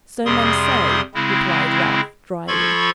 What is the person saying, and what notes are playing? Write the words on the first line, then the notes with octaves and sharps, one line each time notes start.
'So men say,' replied Ralph, drily.
F2 C3 G3 G#4 C6 D#6
C#3 G#3 C4 E4
F3 F4 A4 B5 C#6 G#6